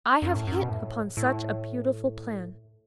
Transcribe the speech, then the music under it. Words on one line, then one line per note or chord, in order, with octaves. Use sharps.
'I have hit upon such a beautiful plan.
F#2
A2
F#2
B2
A2
A2